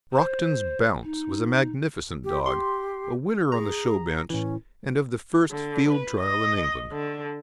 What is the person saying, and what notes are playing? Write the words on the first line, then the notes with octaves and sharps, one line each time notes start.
Brockton's Bounce was a magnificent dog, a winner on the show bench, and of the first Field Trial in England.
C5
D#4
G4
G4 C6
G#4 A#5
A2 E3 C#4
D3
B4
D#5
D3